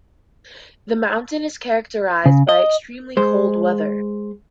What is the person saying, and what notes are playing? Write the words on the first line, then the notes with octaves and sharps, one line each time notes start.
The mountain is characterized by extremely cold weather.
C#3
D#5
G#3 C5